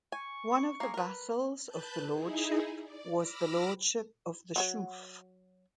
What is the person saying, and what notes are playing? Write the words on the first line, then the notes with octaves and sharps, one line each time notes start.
One of the vassals of the lordship was the Lordship of the Shuf.
G#5 C#6
A#3 G#4
A#4 B4
B4 A5 F#6 G6
D#4 E4 G#4
D5
B5 D6 E6 F6 A#6
F#3 F#4 C#5